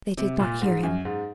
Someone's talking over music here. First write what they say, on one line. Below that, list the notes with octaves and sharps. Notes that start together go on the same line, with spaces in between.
They did not hear him.
C3
A#2
G#2
F#2
G#2